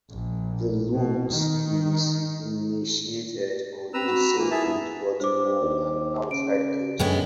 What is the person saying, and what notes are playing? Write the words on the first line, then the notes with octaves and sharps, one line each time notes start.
The Lutz is initiated on the same foot, but on an outside edge.
A#1
B2
D#3
C4 B4 A#5 E6
F#4
E3 A#3 F4
E4 G#4 E5 A5
B3
G2 C5 D6
D#2
C#3 D7
F#2 D3 G#3 B3 G5